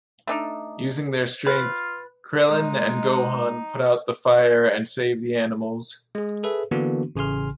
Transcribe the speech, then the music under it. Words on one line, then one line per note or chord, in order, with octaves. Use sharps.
Using their strength, Krillin and Gohan put out the fire and save the animals.
A3 D4 D#4
F4 B4
G#3 D#4
G#3 G#4
G#4 A4 B4 E5
D3 E3 A#3 B3 D4 F#4
A1 C#3 G#5 C6 F6